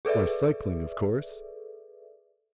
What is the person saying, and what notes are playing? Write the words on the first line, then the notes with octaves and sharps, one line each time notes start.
"Why, cycling, of course."
G#4 A4 B4 D5 E5